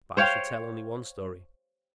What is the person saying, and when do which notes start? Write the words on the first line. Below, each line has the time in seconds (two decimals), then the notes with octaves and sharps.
But I shall tell only one story.
0.17 C5 C#5 F5 G5